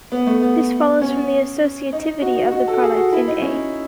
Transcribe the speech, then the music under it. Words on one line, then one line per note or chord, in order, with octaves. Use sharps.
This follows from the associativity of the product in "A".
B3
A3
B3
C#4
D#4
F#4
D#4
F#4
A4
G#4
F#4
E4
D#4
C#4